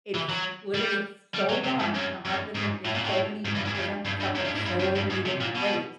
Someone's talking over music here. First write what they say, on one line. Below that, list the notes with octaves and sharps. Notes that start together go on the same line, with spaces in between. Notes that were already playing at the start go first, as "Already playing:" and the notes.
It's literally so broad in the autism. It's so many it presents itself in so many different ways,
E3
F#3
G3
G3
F#3
C3
G#2
F#2
F#2
G#2
A2
A#2
A2
G#2
G2
G#2
G2
G2
G2
F#2
G2
G#2
G2
F#2
G2
G#2
C3
A#2
B2